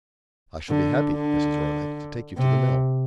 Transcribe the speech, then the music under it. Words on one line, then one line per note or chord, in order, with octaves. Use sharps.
"I shall be happy, Mrs. Roylake, to take you to the mill."
D3
D3
C3